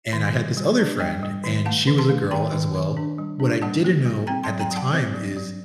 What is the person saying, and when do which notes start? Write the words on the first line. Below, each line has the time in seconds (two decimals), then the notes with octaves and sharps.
And I had this other friend, and she was a girl, as well. What I didn't know at the time is
0.13 D#3
0.35 G3
0.57 G3
0.79 D4
1.00 G3 D#5 G5
1.23 G3
1.44 D#3
1.65 A3 F#5 A5
1.87 D#3
1.98 A5 C6
2.09 A3
2.31 D#3 G5 A#5
2.54 D#3
2.75 D#3
2.97 D4
3.18 G3
3.40 D4
3.62 G3 F#5 A5
3.84 A#3
4.06 G3
4.27 C4 G5 A#5
4.43 A5 C6
4.49 F#3
4.60 G5 A#5
4.71 F#3
4.76 F#5 A5
4.92 C4 C5 D#5
5.14 F#3
5.36 F#3